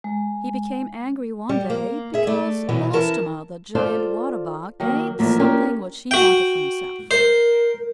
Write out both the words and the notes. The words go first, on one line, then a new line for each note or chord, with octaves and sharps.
He became angry one day because Belostoma, the Giant Water-Bug, ate something which he wanted for himself.
G#3
G3
A#3
G#4 E5
A3 D5
B2 E3 F#3 B3
E3 C#4 A#4 A5
F4 A4 C5 D5 F5
D#3 F#3 A#3
E2 A2 F3 A#3 A#4 E5
A#3 C#4 D4 F4 G4 A#4
F#4 G5
A#4 C5